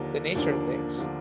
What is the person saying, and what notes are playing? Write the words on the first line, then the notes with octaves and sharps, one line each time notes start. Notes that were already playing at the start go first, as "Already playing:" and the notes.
the nature of things.
Already playing: D#2 D3 F3 A#3 D4
D#2 D3 F3 A#3 D4
D3 F3 A#3 D4